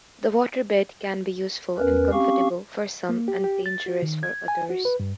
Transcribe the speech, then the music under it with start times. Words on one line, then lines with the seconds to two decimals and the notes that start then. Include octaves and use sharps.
The waterbed can be useful and comfortable for some and dangerous for others.
1.78 E2 C#4 A#4 B4
2.12 C4 C#4 G4 F5 C#6
3.09 A#3
3.28 G4
3.44 G4
3.66 A6
3.86 F#4
4.02 D#3
4.23 G#6
4.48 G#5
4.70 F#4
4.85 B4
5.00 G2